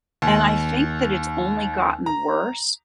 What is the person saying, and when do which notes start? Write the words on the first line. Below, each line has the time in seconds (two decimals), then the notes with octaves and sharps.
And I think that it's only gotten worse
0.22 D#2
2.06 A#5